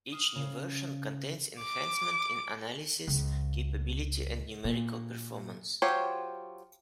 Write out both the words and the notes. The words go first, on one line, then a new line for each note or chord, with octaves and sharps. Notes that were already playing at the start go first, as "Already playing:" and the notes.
Each new version contains enhancements in analysis capability and numerical performance.
D#6 F6 C7 E7
C#3
D6
C#2
A#2
F#3 F4 G4 C5 C#5